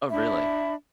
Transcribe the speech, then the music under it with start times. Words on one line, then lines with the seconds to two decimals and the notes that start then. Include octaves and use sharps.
Oh, really?
0.11 D4 E5 B5